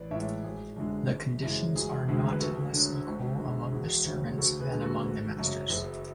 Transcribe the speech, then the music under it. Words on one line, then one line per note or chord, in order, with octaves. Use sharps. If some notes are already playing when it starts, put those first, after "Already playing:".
The conditions are not less equal among the servants than among the masters.
Already playing: A1 B4 D5
A2 E3 G#3 C#5 E5
G#1 G#4
F#2 D3 G#3
G#1
F#2 C#3 E3 G#3
E1 G#4
D2 D3 G#3
B4
D2 F#4 A4
D3 F#3
G#1
F#2 D3 G#3
E1
D2 C#3
D2 F#4 A4
G#4 B4
D3 G#3
F#4 A4
G#1
F#2 C#3 F#3
F#1